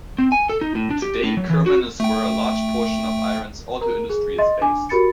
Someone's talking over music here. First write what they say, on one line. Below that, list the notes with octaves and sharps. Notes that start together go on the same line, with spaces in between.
Today, Kerman is where a large portion of Iran's auto industry is based.
C4
G#5
A4
D#4
A2
D4
G4
A2
F#3
E3
F#4
A3 G5
A#4 A#5
G#4
D#5 E5 C6 A6
D4 G#5 D6
F#4 G4 A#4 B5 A6 C#7